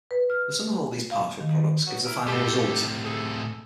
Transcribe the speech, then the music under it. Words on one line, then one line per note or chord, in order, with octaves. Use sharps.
The sum of all these partial products gives the final result.
B4
F6
F5
D#3
F#3 B3 F#4
E4 A#4
A2 C3 G4 A4
G#4 A4